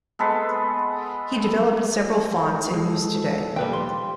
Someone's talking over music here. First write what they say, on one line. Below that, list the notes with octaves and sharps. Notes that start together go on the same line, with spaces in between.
He developed several fonts in use today.
G#3 B3 A4 B4
G#3 A4
D#2 A#2 G3 B4 G5
F3 C6